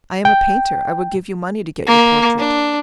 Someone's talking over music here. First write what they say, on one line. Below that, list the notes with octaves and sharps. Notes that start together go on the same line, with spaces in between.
"I am a painter: I would give you money to get your portrait."
G5
A#3
D4